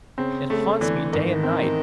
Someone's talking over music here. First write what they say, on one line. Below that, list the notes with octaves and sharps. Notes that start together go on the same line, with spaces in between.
It haunts me day and night.
C#3 C4
C#3 A3
D3 E3
G#2 D#3
C4